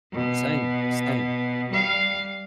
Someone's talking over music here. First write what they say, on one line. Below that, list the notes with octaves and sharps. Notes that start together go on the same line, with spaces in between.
Same, same.
B2
G3 F5